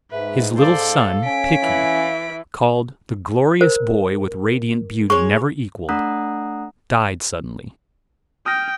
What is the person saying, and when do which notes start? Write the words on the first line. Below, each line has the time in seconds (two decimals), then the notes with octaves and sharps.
His little son Pickie, called "the glorious boy with radiant beauty never equalled," died suddenly.
0.11 G#2 B4 E5
0.58 A4 C5 D5 F5
1.24 C#4 C#5 G#5 B6 D7
1.63 E3
3.61 A#4 C5
5.10 G#3 C#5 C#6
5.89 A3 D4 F#5 A#5 D#6 F#6
8.46 G5 D#6 F6 A#6